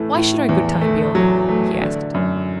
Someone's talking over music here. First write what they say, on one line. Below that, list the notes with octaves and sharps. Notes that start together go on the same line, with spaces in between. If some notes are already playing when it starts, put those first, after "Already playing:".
"Why should our good time be over?" he asked.
Already playing: A2 E3 A3
A2
E2
A3
F#3
A3
D3
F#2